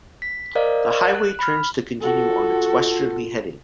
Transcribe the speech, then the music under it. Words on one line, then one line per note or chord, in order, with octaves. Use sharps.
The highway turns to continue on its westerly heading.
B6
A#4 C5 D5 D#5 F5
F#6
B5 F6
F4 F#4 A4